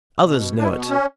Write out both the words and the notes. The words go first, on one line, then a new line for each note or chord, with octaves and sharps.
Others know it.
B2
D4
B2 E4
B3
C#4